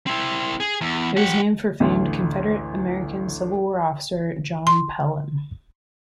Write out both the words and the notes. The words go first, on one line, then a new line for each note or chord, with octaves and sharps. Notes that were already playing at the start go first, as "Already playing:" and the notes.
It was named for famed Confederate American Civil War officer John Pelham.
C4 E4
G#4
E2
G4 F#5
A1 D2
C6